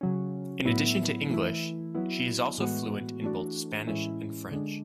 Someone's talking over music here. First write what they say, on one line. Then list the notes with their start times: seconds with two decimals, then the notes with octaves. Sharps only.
In addition to English, she is also fluent in both Spanish and French.
0.01 C#3 F#3 C#4
0.65 A2 F#3 B3 E4
1.30 E3 A3 E4
1.95 F#3 B3 E4
2.58 A2 E3 G#3 B3 F#4
3.23 E3 A3 D4 F#4
3.87 A2 E3 G#3 C#4 E4
4.51 D3 G#3 D4